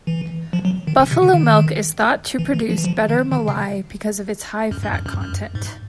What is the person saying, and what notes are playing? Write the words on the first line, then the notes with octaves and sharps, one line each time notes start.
Buffalo milk is thought to produce better malai because of its high fat content.
E3
F3
F#3
D#3
D3
C3
D3
D#3
E3
E3
F3
E3
F3
D#3
D#3
C#3
F#2
G2
F#2
F#2
F#2
G#2